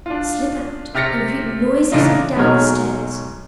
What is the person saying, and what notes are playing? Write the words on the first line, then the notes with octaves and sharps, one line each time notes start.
Slip out and creep noiselessly down the stairs.
D4 F4
C3 G4 F6 A6 A#6 C#7
C#3 E3 A3 D4 D#4 F4
B1 B2 F#3 G#3 C#5 F6